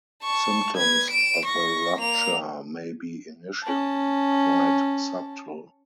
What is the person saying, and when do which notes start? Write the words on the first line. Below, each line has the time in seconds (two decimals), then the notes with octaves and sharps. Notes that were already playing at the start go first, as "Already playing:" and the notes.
Symptoms of a rupture may be initially quite subtle.
0.24 A5 C#6
0.77 B4 G#6
1.10 D7 E7
1.45 C#6 A#6
2.00 A#3 F7
3.63 C#4 A5